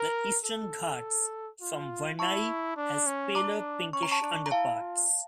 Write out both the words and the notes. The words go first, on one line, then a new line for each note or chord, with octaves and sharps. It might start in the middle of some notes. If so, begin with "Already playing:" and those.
The Eastern Ghats form "vernayi" has paler pinkish underparts.
Already playing: A#4
A4
F4
E4 A5 C#6
D4
C#4
D4 A#5 D6
C#4 C#6
A#5
A5 C#6
D4
A#5
E4 F5 A5
F4